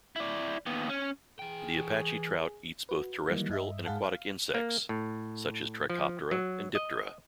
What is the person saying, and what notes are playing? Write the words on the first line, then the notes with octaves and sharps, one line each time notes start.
The Apache trout eats both terrestrial and aquatic insects, such as Trichoptera and Diptera.
E4 D5
D#2 B3
C#4
E3 G#4 G5
F#4 B4
D#3 E3 F#3 G3 A#3 D#4
G2 D#5 E5
G#2 G#3 G#4 F5 F#5 A5
F5
A#3
A2
F3
F#3
D#5